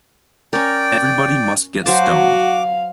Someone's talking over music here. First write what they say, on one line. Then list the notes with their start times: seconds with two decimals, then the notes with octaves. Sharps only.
Everybody must get stoned.
0.53 C#4 A#4 D5 G5
1.86 F#3 F#4 C5 F5 A5 D6